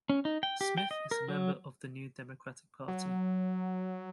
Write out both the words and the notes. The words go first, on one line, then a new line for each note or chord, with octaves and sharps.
Smith is a member of the New Democratic Party.
C#4
D#4
G5
G4
G5
D#5
A#4
F#3
F#3